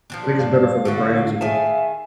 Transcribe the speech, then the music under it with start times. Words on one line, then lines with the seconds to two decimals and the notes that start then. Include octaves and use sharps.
I think it's better for their brains, you know?
0.10 F3 F#3 D4
0.39 G2 F5
0.85 D3 F#3 A3 F#4
1.41 D#3 G#4 E5 G#5 A5